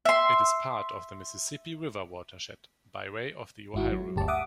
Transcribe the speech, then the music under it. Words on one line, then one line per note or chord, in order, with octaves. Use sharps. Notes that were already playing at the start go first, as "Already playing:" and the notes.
It is part of the Mississippi River watershed, by way of the Ohio River.
E5 C6
G#1 G#2 E4 F#4
F#3
G1 D2 G4 A5
E5 F#5 D6 D#6